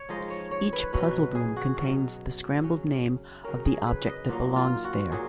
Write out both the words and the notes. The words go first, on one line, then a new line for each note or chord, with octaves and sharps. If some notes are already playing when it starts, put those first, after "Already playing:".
Each puzzle room contains the scrambled name of the object that belongs there.
Already playing: C#5
F3 G#3 D#4 D#5
C#5
C#5
B4
B2 F#3 C#4 B4
G#4
F#4
B2 F#3 C#4
C#3 F#3 C#4
C#3 F#3 C#4 A#4
G#4
B4
D#5
A#2 F#3 A#3 D#4
F4
F#4
A#2 F#3 G#4